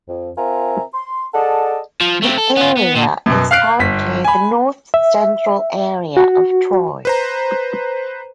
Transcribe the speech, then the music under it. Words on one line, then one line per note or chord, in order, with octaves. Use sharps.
The area is currently the north-central area of Troy.
F2
C4 F4 A#4 E5 G#5 A#5
C6
G#4 A4 D5 D#5 F#5 A5
F3
A3 C4
A4
B3 F4
B3
A#2
F#2 B2
F5 F6 F#6 C7 D7
G1 B6
G#5 B5
E5
F#4
B4 C5 A#5